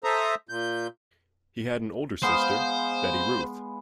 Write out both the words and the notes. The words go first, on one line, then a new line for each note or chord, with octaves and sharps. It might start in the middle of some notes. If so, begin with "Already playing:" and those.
He had an older sister, Betty Ruth.
A4 C5 E5 A#5 D#6
A#2 G6
G#3 B3 C5 F5